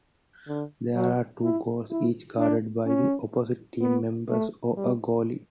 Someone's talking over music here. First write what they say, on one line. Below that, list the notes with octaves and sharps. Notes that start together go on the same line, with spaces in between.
There are two goals, each guarded by the opposite team members or a goalie.
D3
F#3
E4
E4
D4
C#4
B3
A3
G3